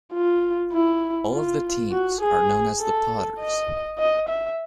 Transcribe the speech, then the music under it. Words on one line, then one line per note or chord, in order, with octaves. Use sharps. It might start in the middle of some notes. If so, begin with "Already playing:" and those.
All of the teams are known as the Potters.
F4
E4
F4
F#4
G#4
A4
D#5
D#5
E5